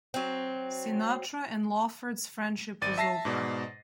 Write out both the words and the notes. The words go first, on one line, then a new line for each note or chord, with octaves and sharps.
Sinatra and Lawford's friendship was over.
F#3 C4
G#1 D5 A6 D#7
E5 A5 A#6 C7
G#2 B2 D5